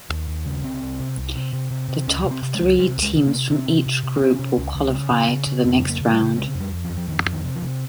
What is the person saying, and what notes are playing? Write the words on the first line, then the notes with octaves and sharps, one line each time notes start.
The top three teams from each group will qualify to the next round.
D#2
D#2
C#3
C2 C4
C2
C3
C2
C3
C3
C3
C3
C#2 C#4
C3
C4
C3
G#3
C#2
C3 G3
C#2
G#3
C3
A#3
C3
C3 C4
C3
C3
C3
C4
C3 C#4
C3
C#2
C#2
C#3
C#3
C#3
C#3
F2 C4
C#3
A#3
C#3
G3
C#3
C3 G#3
F2
G3
F2
F3
F2
F3
F2 D#3
F2
D#3
C3
F3
C3